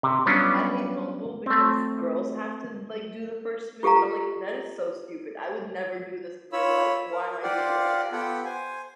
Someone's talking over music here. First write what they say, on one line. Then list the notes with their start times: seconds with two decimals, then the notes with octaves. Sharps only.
I hate Bumble because girls have to, like, do the first move, and, I'm like, "That is so stupid. I would never do this in real life. Why am I doing it on a app?"
0.03 C3
0.26 F#3 G3 B3 C#4 D4 F4
1.46 A3 C4
3.83 F4 G4 A4 F5 A#5
6.53 F4 C#5 B5 E6
7.12 A#4
7.43 F4 G4 C5 D5 F5 F#5
8.12 B3 F4 G4 A4 F#5 G5
8.45 C5 G#5